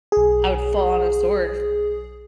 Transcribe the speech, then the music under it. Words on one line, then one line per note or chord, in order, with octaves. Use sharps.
I would fall on a sword f
B1 G#4